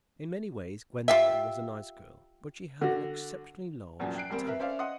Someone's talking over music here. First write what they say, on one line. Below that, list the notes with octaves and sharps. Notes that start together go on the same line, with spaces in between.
In many ways Gwendolen was a nice girl, but she had an exceptionally large tummy.
F4 G4 E5
D3 F#4
E2 A#2 F3 F#3 C#4
G5 F#6 C7 D7
E2 G3 A#3 C4
A#4 B4 E5
C#4 C5 D5 E5 F5
D#5 F#5 C6 D#6